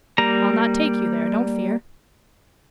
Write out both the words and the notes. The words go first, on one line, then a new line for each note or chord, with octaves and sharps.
"I'll not take you there, don't fear."
G3 A#3 A#5